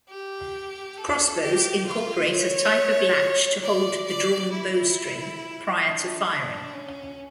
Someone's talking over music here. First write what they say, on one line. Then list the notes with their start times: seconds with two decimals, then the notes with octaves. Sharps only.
Crossbows incorporate a type of latch to hold the drawn bowstring prior to firing.
0.09 G4
0.97 A4
1.42 G4
1.87 F4
2.31 C#5
3.63 D5
4.08 D5
4.52 E4
5.84 D4
6.29 D4
6.74 C#4